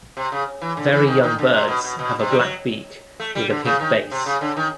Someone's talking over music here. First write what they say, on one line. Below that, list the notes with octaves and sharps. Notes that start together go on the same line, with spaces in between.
Very young birds have a black beak with a pink base.
C3
C#3
E3
D3
E3
D#3
D#3
D3
C3
B2
B2
B2
C3
G3
F#3
A3
G3
D3
C#3
D#3
C3
C#3
D3
D#3